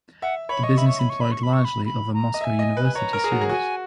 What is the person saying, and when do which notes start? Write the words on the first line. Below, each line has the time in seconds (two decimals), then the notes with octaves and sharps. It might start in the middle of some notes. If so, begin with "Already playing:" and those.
The business employed largely other Moscow university students.
0.22 E5 F#5
0.49 C#5 B5
0.63 D#5 C#6
0.78 E5 B5
0.88 C#6
0.99 B5
1.10 C#6
1.21 B5
1.32 C#6
1.43 B5
1.53 C#6
1.65 B5
1.86 B5
2.14 A#5
2.34 D#5
2.40 E5 G#5 A#5
2.59 D#5
2.77 B4
2.84 G#5
2.95 C#5 A#5
3.13 A#4
3.24 G#4
3.32 F#4
3.41 G#4
3.49 F#4 G#5